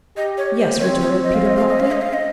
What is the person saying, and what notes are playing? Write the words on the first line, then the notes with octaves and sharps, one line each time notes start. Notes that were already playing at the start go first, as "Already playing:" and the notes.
"Yes," retorted Peter promptly.
G4 D#5
C#5
C5
C4 C#5
C#5
D#5
F5
D#5
F5
D#5
F5
D#5
F5
D#5